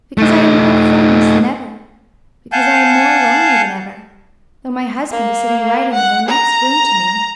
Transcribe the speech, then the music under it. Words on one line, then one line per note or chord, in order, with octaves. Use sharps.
Because I am more friendless than ever; because I am more lonely than ever, though my husband is sitting writing in the next room to me.
A3 D#4
F5 F#5 G#5 A5 G6
A#3
F#5
A#5